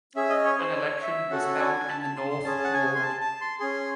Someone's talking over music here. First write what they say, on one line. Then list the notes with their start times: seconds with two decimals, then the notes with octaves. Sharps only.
An election was held in the North Ward.
0.15 C#4 G#4 E5
0.30 D#5
0.44 C#5
0.59 C5
0.74 C#5
1.02 E5
1.30 C#4 F#4 A4 F#5
1.59 G#5
1.88 A5
2.02 A5
2.16 C6
2.31 C6
2.44 C#4 G#4 A5
2.64 F#5
2.74 G#5
2.95 C6
3.02 A5
3.21 A5
3.41 C6
3.60 C#4 G#4 C6